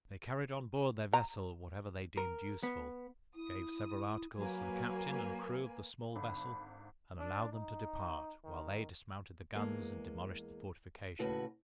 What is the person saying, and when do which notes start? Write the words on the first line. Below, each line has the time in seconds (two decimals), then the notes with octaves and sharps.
They carried on board their vessel whatever they deemed useful, gave several articles to the captain and crew of the small vessel, and allowed them to depart, while they dismounted the guns, and demolished the fortifications.
1.13 A#5
2.17 A#4
2.63 B3
3.35 E4 D#6
4.37 F#3 A#3 B4 G#5
6.16 G#1 D3 B5
7.19 D4
7.53 D#4
8.44 D#3
9.55 E2 G#3 A#3
11.19 D#2 A2 C#3 F#4 B4